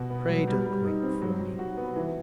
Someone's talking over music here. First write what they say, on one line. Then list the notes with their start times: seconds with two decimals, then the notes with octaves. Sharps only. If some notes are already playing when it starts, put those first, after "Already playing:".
Pray, don't wait for me.
Already playing: B2 F#4
0.10 B3
0.29 F#3
0.48 G3
0.66 G3
0.84 D#4
1.03 C4
1.22 F#3
1.40 F#3
1.59 F#4
1.77 B3
1.96 E3